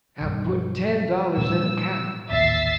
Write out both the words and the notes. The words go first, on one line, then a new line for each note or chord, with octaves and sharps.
I put ten dollars in a cow.
B1 G2
A#2 G3 A3 E6
A1 D#2 A#2 E5 A6 C7